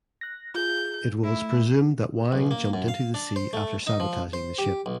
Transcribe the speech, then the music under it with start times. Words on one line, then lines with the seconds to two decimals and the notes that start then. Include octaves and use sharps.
It was presumed that Wang jumped into the sea after sabotaging the ship.
0.21 F#6 A#6
0.55 F4 G#4 G6
1.23 A3 E4
2.32 B1
2.51 A#3
2.73 F#2
2.88 F5
3.14 D4
3.36 C5
3.53 A3
3.87 D#4
4.00 F3
4.33 C5
4.58 G4
4.86 B1